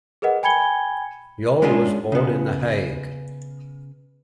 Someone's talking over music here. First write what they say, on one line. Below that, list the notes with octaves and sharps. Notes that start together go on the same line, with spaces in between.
Jol was born in The Hague.
G#4 A#4 B4 D#5 F#5
G5 G#5 B5 G#6 C#7 G7
G#3 C#4 D4 F4 G#4
C#3 B3